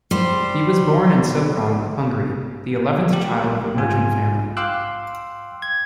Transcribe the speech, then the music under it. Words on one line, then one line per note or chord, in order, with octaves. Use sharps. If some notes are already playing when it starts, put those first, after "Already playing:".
He was born in Sopron, Hungary, the eleventh child of a merchant family.
G3 C5
G3 A3 G4
G#2 F4 G#5
F5 G5 C6 D6 E6 F#6
G#6